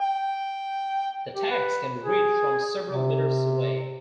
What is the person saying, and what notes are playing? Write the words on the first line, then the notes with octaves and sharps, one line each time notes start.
The tags can be read from several meters away.
G5
G4
B4
G#4
C3